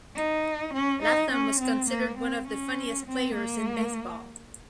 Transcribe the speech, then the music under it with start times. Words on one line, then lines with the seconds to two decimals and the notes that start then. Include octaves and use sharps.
Latham was considered one of the funniest players in baseball.
0.16 D#4
0.74 C#4
1.03 D#4
1.32 C#4
1.60 C4
1.90 A#3
2.18 C4
2.48 C#4
3.06 C4
3.34 A#3